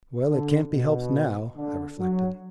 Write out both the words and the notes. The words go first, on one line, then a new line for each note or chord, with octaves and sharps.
"Well, it can't be helped now," I reflected.
D3
B2
D3
F#3